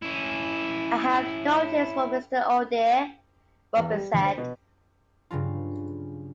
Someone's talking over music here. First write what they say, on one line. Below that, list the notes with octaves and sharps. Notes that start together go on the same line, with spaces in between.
"I have no tears for Mr. Odeh," Rubin said.
C#4 E4
E2
G3
D2
C5
B2
G2 C#3 F#3 F4